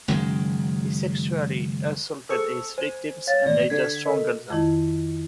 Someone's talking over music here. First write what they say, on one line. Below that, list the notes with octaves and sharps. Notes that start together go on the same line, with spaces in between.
He sexually assaulted his victims and later strangled them.
F#1 F#2 D#3 G#3
G#4 A4 C5 C#6 E6
C5 G#5
C#5 F5 A6
A1 D#2 D5 A#6
D3 G#6 B6
A4 A#4 D#5
F2 D#3 E4 D#5